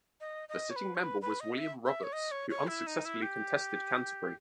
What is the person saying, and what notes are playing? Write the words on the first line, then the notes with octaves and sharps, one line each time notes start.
The sitting member was William Roberts who unsuccessfully contested Canterbury.
D#5
D#5
C#5
B4
C#5
B4
B4
D#5
E5
E5
C#5
D#5
C#5
C#5
E4
D#4
E4
G4